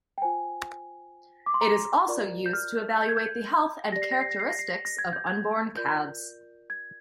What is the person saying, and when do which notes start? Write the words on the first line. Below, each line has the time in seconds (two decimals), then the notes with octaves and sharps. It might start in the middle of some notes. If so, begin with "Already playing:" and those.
It is also used to evaluate the health and characteristics of unborn calves.
0.18 G5
0.22 F4 C5 G#5
1.46 D6
1.54 C6
1.61 A#5
2.07 F4 A#4 D5
2.46 G6
2.53 F6
3.00 G6
3.09 G#6
3.17 G6
3.92 G4 D5 A#6
4.02 C7
4.12 A#6
4.21 C7
4.31 A#6
4.39 C7
4.50 A#6
4.59 C7
4.68 A#6
4.85 A#6
4.98 G#6
5.13 G6
5.27 G#6
5.77 F4 A#4 D5 G6
6.70 G#6